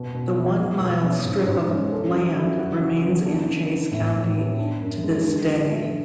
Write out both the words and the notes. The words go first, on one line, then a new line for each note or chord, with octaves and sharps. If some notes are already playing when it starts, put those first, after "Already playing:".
The one mile strip of land remains in Chase County to this day.
Already playing: B2
B2
E4
B2
B2
C#4
G#2
G#2
C#4
A4
F#3
E4
F#4
C#3
B3
D4
C#3
B3
A2
A2
B3
D4
F#2
G#3
D3
D3
A3